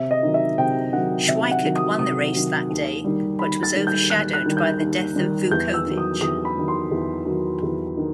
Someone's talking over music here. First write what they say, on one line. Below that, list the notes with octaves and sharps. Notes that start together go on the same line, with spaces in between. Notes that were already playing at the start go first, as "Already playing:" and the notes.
Sweikert won the race that day, but was overshadowed by the death of Vukovich.
Already playing: C3 E5
D#5
D#3 F#3
E5
C3 G5
D#3 F#3 F#5
C3 E5
F#5
D#3 F#3
D#6
C3 D#6
D#3 F#3
D#2
D#3 G3
D#2 B5
A6
D#3 G3
G6
D#2 F#6
F#6
D#3 G3
G6
D#2
D#3 G3
E2 G6
E6
D#3 F#3
D#6
E2 D#6
B5
D#3 F#3
C6
E2
D#3 F#3
E2
D#3